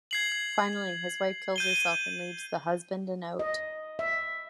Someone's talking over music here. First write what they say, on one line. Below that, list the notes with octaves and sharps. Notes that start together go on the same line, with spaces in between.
Finally his wife kills herself and leaves the husband a note.
G#6 C7 F#7
G6 D#7 G7
D#5
E5